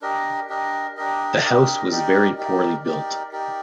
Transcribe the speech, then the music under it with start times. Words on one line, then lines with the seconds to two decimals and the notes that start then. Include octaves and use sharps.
The house was very poorly built.
0.01 D4 G4 A#4 D#5
0.49 D4 G4 A#4 D#5
0.97 D4 G4 A#4 D#5
1.43 D4 G4 A#4 D#5
1.91 D#4 G4 A#4 D5
2.38 D#4 G4 A#4 D5
2.85 D#4 G4 A#4 D5
3.32 D#4 G4 A#4 D5